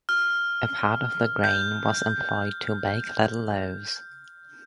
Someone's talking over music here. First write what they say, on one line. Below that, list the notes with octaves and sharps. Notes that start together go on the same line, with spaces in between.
A part of the grain was employed to bake little loaves.
F6
G6